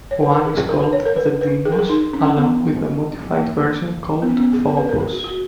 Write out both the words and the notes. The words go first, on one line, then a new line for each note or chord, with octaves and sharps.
One is called the Deimos, along with the modified version called Phobos.
C#5
B4
A#4
G#4
G#4
A#4
B4
C#5
A#4
B4
B4
G#4
A#4
G#4
D#4
C#4
B3
A#3
B3
C#4
B3
G#4
A#4
B4
A#4
G#4
F#4
F#4